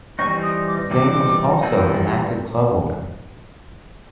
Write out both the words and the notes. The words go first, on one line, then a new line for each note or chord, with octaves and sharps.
Zane was also an active clubwoman.
E3 G3 C4 D#4 C#6
D#6
D6
E3 G3 C4 D#4 D6
E3 G3 C4 D#4